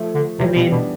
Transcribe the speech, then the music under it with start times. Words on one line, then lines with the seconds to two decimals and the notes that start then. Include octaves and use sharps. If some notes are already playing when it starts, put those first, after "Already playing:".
I mean
Already playing: F3 A3
0.15 D3
0.39 C3 E3 G3
0.55 B2 G3 B3
0.72 B2 B3 D4